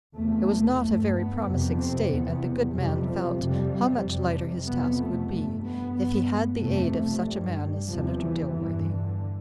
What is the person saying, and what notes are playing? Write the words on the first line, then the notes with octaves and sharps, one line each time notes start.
It was not a very promising state, and the good man felt how much lighter his task would be, if he had the aid of such a man as Senator Dilworthy.
E2 C3 A3
G2 A3
B3
F2 C3
C4
E2 C3 B3
F2 C3 G3
F3
F2 C3 G3
F2 C3
F2 C3 B3
A3
G2 A3
B3
G2
F2 C3 A3
G2 G3
E2 C3 F3
E3
G2 E3
D3